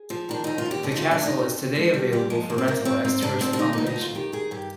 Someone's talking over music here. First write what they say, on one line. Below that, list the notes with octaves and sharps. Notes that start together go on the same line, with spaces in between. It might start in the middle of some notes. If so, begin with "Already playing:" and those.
The castle is today available for rental as tourist accommodation.
Already playing: G#4
F3
D#3 D4
D#2 D#4
F4
D#2
G4
D3 G#4
D#4
F4
G2
D4
D3
D#4
F2
F2
F3 G#3
D3 G3
D#2 G3
F3 G#3
G#2 A#3
C4
G#2 A#3
G#2 C4
G#2 C4
G#2 D4
G#2 C4
D4
D3 D#4
D#4
D2
D#4
D2
F4
D#3 G4
D#3 G#4
G2 G4